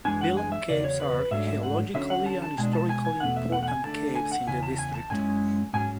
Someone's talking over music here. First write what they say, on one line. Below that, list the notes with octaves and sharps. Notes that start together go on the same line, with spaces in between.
Belum Caves are geologically and historically important caves in the district.
F#2 E3 G#3 D4 G#5
F#5
G#5
E5
E2 C#3 F#3 D5
C#5
B4
G#2 F#3 A3 D4 E5
E5
F#5
D3 F#3 C#4 E5
F#5
A5
A5
B2 G#3 D4 G#5
A5
G#5
G#5
E2 B2 A3 F#5
E5
F#5
F#5
G#5
D3 A3 D4 A5
G#5
F#5
E2 C#3 E4 G#5
A5
G#5
A5
F#2 D3 G#3 C#4 E4 G#5
G#2 F#3 C#4 G#5